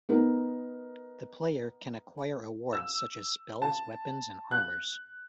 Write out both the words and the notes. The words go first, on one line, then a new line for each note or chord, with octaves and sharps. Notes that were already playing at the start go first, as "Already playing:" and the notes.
The player can acquire awards such as spells, weapons, and armors.
B3 D#4 A#4
E6
A5
F#6